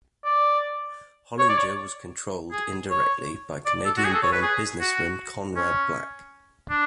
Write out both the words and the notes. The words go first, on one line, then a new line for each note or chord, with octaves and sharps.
Hollinger was controlled, indirectly, by Canadian-born businessman Conrad Black.
D5
C#5
D5
C#5
G#4
C#5
D5
A4
F#4
G#4
A4
C#5
B4
G#4
F#4
C#4
D4